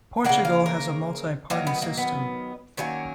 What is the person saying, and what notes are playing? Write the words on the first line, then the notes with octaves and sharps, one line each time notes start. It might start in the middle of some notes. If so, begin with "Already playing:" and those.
Portugal has a multi-party system.
C#3 F#3 A#3 F#5
F5
A#4
D#3 F#3 A#3
B3
A#3
B3
D#3 F#3 A#3 C#4